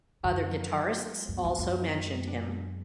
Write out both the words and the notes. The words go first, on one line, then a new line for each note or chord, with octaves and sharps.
Other guitarists also mentioned him.
F#2 D3
F3 A#3 D#4 A#4
F#3
B3 F4 A#4
G#3
F#2
B3 D4 F#4
F#2
F#2 B3
D#4 A#4 D#5
G#3
B3 D4
G#3